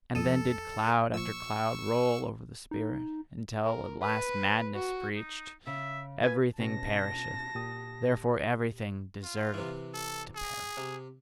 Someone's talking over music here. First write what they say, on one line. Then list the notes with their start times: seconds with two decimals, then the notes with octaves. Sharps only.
And then did cloud after cloud roll over the spirit, until at last madness preached: "Everything perisheth, therefore everything deserveth to perish!"
0.15 F2 A4 D#6 E6
1.14 A#2 F3 C#6 E6
2.71 D#4
3.64 A#4
4.02 B4
4.74 F#4
5.16 D#4
5.67 C#3 E5
6.23 F4 B4 G#5
6.60 B2 B3 C#4 A5 A#6
7.55 A#2 G4 D#6
9.23 F4
9.54 C3 E3
9.94 A4
10.36 G#4
10.77 C3